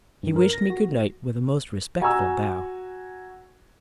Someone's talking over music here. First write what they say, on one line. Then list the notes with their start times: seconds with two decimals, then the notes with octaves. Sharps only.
He wished me good night with a most respectful bow.
0.23 G2
0.36 A#4
0.53 A#6
0.70 F#4
2.01 F#4 G#5 A#5 C#6 E6